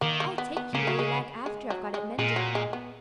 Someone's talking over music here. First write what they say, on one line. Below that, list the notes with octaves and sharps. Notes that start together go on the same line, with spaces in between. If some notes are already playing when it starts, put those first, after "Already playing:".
I'll take you where you like after I've got it mended.
D#3 A#3
A#3
B3
B3
C#3 A#3
F#3
G#3
G#3
F#3
G#3
A#2 G#3
F#3
G#3
B3